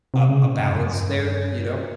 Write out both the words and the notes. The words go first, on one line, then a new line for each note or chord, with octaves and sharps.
a a balance there, you know.
C3
C#3
A#2
G2
F2
G2